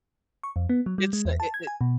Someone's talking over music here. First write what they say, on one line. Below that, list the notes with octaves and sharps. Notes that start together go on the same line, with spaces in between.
it's, uh, it it
C#6
F2
B3
F#3
G3
G#3
E2
A5
G#6
G#5
B2